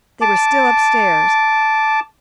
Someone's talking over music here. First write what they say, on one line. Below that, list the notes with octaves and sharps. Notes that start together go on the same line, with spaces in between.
They were still upstairs.
A5 D6